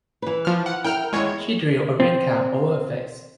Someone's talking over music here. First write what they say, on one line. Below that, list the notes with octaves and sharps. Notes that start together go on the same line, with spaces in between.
She drew a rain-cap over her face.
E3 B4
F3 F6
F#5
E4 A#4 G5 F6
E2 D#3 G#3 E4 C#5
C4